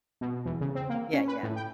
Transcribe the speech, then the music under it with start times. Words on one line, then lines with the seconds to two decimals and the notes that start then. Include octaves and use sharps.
Yeah, yeah.
0.21 B2
0.45 E2
0.61 C#3
0.75 C4
0.89 A#3
1.13 C#4
1.28 B4
1.43 A2
1.56 G5